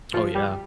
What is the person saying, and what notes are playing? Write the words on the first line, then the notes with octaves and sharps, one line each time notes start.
Oh, yeah.
F3 F4
G3 G4